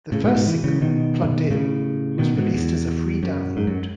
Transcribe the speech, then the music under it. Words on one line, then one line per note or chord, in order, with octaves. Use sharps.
The first single, "Plugged In", was released as a free download.
A2 C#3
G#2 B2
G#2 B2
E3
C#3 E3
B2 D#3
A2 C#3
B2 D#3
G#2 B2
E2
F#2
G#2
F#2